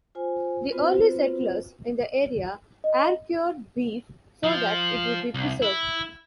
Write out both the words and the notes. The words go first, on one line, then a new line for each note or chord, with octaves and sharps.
The early settlers in the area air-cured beef so that it would be preserved.
F4 C5 G#5
B3 C4 F4 F#4 B4 C5
D#5
F3
C2
E4